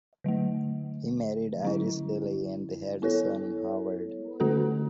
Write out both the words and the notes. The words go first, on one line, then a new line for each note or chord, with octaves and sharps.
He married Iris Dilley and they had a son Howard.
D3 F#3 A3
D3 F#3 C#4 E4
B3 E4 A4 C#5
D3 A3 C#4 F#4 A4